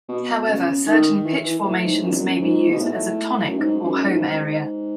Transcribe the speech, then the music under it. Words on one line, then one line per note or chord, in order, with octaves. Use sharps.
However, certain pitch formations may be used as a "tonic" or home area.
B2
C#3
D#3
E3
E3
A2
G#2
F#2
E2
F#2
G#2
B2
A2
F#2
G#2
F#2
A2
G#2